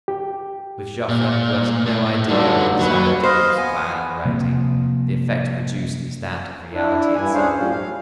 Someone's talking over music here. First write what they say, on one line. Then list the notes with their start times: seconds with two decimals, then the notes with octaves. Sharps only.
With Joffre who has no idea or desire to give us 'fine writing,' the effect produced is that of reality itself.
0.08 G4
1.09 A#2
1.86 A2
2.28 G2 D3 F#3 A3 D#4
2.79 D#2 F#3 G3 B4
3.24 C5 D#5 F5
3.58 B3 G#5
4.25 C3 F3 A#3
6.73 D4 E4
7.15 G2 E4 G#5
7.34 C#4 D4 G#4 C5 C#5 F5
7.57 F#2 A2 F3 G3 C#4
7.70 F5